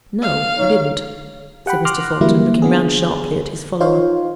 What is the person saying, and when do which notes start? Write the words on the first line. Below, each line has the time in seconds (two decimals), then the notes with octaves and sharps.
'No, I didn't,' said Mr. Thornton, looking round sharply at his follower.
0.22 F5
0.57 D#4 C#5
1.66 G4 F#5 G5 B5
1.85 C6 D6 F6 F#6 A#6
2.21 D3 E3 F#3 G3 A#3 E4
2.62 D3 B3 G#4
3.80 D#4 F4 C5 C#5 F5